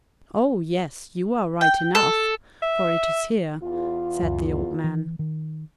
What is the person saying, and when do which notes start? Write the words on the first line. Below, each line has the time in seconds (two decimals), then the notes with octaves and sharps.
"Oh! yes, you are right enough, for it is here," said the old man.
1.61 G5
1.95 A4
2.63 E5
3.62 E2 F4
4.22 C#2 F#2
4.84 E3
5.19 D#3